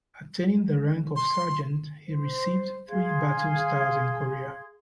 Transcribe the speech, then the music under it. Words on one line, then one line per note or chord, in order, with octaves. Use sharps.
Attaining the rank of sergeant, he received three battle stars in Korea.
C6
C5
G#4 F5 C6 G#6